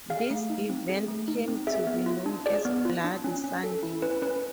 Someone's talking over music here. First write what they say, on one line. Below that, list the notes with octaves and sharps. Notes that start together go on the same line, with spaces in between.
This event came to be known as Bloody Sunday.
G#4 F5
A3
D#4
C4
G#4
A3
D#4
C4
G#4 E5
B3
F4
D4
G#4 D5
B3
F4
D4
C#4
C#4
A4
E4
C#4 B4
C#4 B4